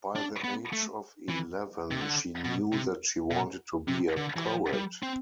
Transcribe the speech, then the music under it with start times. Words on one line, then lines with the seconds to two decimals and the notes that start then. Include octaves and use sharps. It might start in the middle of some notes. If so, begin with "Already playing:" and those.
By the age of eleven, she knew that she wanted to be a poet.
0.16 D4
0.44 B3
0.73 A3
1.29 E3
1.91 C3
2.01 D3
2.45 B2
2.72 C3
3.31 B2
3.88 C3
4.17 D3
4.36 E3
4.45 F3
4.73 G3
5.03 C4